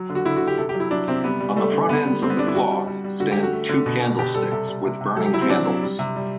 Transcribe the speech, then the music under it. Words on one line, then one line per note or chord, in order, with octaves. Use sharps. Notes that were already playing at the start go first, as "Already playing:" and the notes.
On the front ends of the cloth stand two candlesticks with burning candles.
Already playing: F#3
D3
F#4
D3 E4
F#4
D3
G4
C3 A4
G4
F#3
E4
F#3 D4
C3 C4
G3 B3
G3
G3 A3
D3
D3 B3
G3
D3 C4
B3
G3 D4
E4
G3 F#4
G3
G3
G3
D3 F#4
G4
A3
F#4
A3
D3
B2
B2
B2 G4
G3 A4
C3 A4
G3
C3
C3
F#3 A4
G4
F#3 E4
C4
F#3 D4
F#3
G3
C3
G3